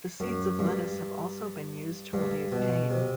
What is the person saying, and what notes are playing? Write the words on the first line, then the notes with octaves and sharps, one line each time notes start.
The seeds of lettuce have also been used to relieve pain.
F#2
G2
G2
B2
C3